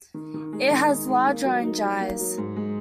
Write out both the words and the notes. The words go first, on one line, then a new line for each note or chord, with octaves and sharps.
It has large orange eyes.
D#3
D#3
G#3
D#3
D#4
G#3
A#3
F#3
D#4
F#3
A#3
F#3
G#2
G#3